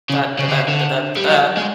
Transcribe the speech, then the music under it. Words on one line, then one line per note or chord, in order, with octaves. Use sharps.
,"dah, da dah, da dah, da dah,"
C#3
C#3
D3
C#3
D3
G3
F#3
G#3